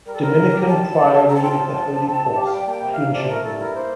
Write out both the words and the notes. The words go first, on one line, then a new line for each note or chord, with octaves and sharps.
Dominican Priory of the Holy Cross, Cloonshanville.
G3 A#4
A4
C4 A#4
A#2
G4
G3 A5
D4
C3
A4
C4 A#5
A5
F4 G5
A5
F3
F3
F3
C4
G2
G4
F5
G3 G5
A#3 G5 A5
C3
C3 F5
F3 D5
C5
A3 A#4
G2 A4
E4 A#4
A#3 C5